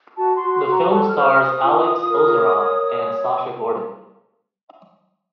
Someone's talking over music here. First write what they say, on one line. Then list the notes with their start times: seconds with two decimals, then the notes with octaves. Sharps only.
The film stars Alex Ozerov and Sasha Gordon.
0.18 F#4 A5
0.36 C6
0.41 F#4
0.54 C6
0.65 F#4
0.72 A#5
0.89 A4 A5
1.08 F6
1.14 C5
1.25 F6
1.38 C5 D#6
1.61 F4
1.85 F4
2.09 A#4
2.33 C#5
2.57 A#4
2.80 C#5